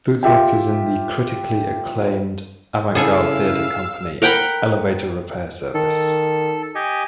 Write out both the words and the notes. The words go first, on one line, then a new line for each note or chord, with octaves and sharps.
Boocock is in the critically acclaimed avant-garde theatre company "Elevator Repair Service".
F4 G4 E5 G5
C#3 E4 G#4 A4 F5 G#5 E6
A#4 F#5 G5 B5
D#3 A4
G4 D#5 G#5